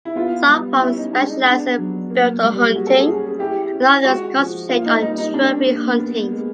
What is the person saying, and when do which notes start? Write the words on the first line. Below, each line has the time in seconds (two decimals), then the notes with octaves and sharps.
Some farms specialize in biltong hunting and others concentrate on trophy hunting.
0.05 E4
0.15 B3 F4
0.48 G3
0.81 C#4 E4
0.97 D#4
1.13 G#3 D4
1.30 D#4
1.45 B3 D4
1.78 F#3
2.10 A#3
2.43 G3
2.75 F#4 G#4
2.87 A4
2.99 G#4
3.08 C#4
3.28 G#4
3.39 E4 G4
3.72 C#4
4.05 G#3 F#4
4.36 F3
4.69 A#3 F4
4.86 D#4
5.01 G3 D#4
5.18 D#4
5.34 C#4 D4
5.67 A#3
5.99 B3
6.31 G#3